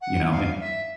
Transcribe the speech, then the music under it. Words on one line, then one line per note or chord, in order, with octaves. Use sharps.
you know, an
F#5
F5
E5